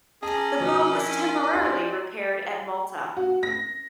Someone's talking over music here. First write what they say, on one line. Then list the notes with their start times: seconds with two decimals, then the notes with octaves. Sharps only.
The bow was temporarily repaired at Malta.
0.23 C#4 G#4 D#5 A5 A#5
0.60 B2 F3 D6
0.92 D#3 E4
1.53 G4 D5 D#5 C6
3.17 F#4
3.43 A#6